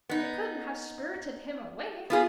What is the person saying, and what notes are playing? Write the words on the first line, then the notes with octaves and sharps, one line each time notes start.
"They couldn't have spirited him away."
B3 D#4
B3 F4 G#4